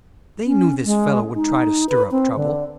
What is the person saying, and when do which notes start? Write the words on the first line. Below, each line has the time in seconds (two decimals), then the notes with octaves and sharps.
They knew this fellow would try to stir up trouble.
0.46 C#4
0.85 G#3
1.35 D#4
1.89 B4
2.11 C4
2.36 D3